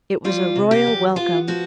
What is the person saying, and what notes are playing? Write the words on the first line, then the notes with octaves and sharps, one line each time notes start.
It was a royal welcome.
G3 F4
C3
G4
E2
B3 F4
F3 F#4